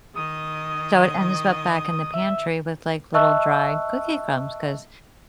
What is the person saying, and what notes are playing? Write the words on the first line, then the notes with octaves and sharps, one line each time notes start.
So it ends up back in the pantry with, like, little dry cookie crumbs 'cause,
D#3 D#5 D#6
E5
D#5 E5 A5 C#6 E6 F#6